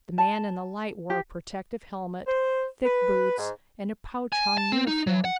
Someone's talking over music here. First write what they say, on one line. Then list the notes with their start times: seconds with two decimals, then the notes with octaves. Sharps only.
The man in the light wore a protective helmet, thick boots and a pouch-hung uniform.
0.18 A5
1.10 G4
2.27 C5
2.85 B4
3.38 G#2
4.32 G#5
4.58 A5
4.72 C4
4.87 D#4
5.07 F#3
5.25 F#5